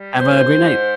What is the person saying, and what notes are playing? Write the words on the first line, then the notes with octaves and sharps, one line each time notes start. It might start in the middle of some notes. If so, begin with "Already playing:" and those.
Have a great night.
Already playing: G3
D#2 C5
G#2